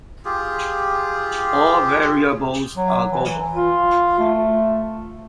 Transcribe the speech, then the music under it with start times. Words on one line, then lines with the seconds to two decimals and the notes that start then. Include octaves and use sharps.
All variables are global.
0.25 F4 G4 G#4
2.76 F#3
3.10 E3
3.55 F4
4.19 A3